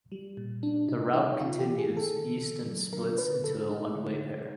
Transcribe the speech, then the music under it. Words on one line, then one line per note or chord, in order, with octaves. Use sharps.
The route continues east and splits into a one-way pair.
G3
A#2
G3 D4
C3 D#4
E3 D#4
E3 F4
G4
E3
G#4
E3
A4
D3
D3
F#3
D3 A#4
D3 B4
D3 A4
G#3 D#4
D3
G#3